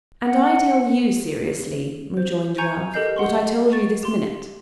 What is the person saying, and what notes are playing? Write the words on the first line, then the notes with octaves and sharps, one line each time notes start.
'And I tell you seriously,' rejoined Ralph, 'what I told you this minute.
F#5
C5
G#5 A#5 C#6 G6 G#6 C#7
G4 A4 A#4 D#5 G6 C7
F#5 C6 C#6
C#6 A6
G4 C6